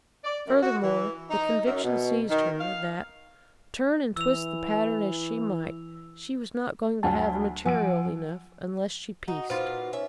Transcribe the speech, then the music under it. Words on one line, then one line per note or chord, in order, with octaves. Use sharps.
Furthermore, the conviction seized her that, turn and twist the pattern as she might, she was not going to have material enough unless she pieced.
D5
F#2
F#4
E3
D#4
F#2
B2
D#3
F5
E3 E6 F7
D2 F#3 G#5 A5 A6
F3 F#5 G#5 E6 D7
D#4 F#4
A#2 D#4 F4 B4 C5
C#4 E5